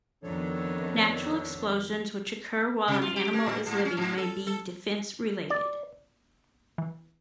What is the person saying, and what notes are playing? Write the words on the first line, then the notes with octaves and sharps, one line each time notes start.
Natural explosions which occur while an animal is living may be defense-related.
F2 D#3 B3 D4 A4 C#5
C3
F4
G4
A#3
A2
G#2
C#4
G#2
A4
A4
D5
E3